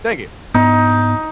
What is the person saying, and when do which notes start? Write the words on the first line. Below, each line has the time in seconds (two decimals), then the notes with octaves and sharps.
Thank you.
0.54 G#2 B3 D#4